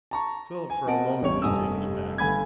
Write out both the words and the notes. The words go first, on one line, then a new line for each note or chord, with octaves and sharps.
Philip for a moment was taken aback.
A5 A#5 C#6
G#5
C4 A#4 D#5 F#5 A5 D7
A1 E2 G3 C#5 C#6 F7
F1 G2 G#5 D#6 E6
G1 A3 G#5 B5 G#6